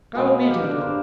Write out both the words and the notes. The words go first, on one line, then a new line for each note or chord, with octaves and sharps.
Go immediately.
B2 G#3 A#3 B3
G4 F5
A#3 D4
A#4 C5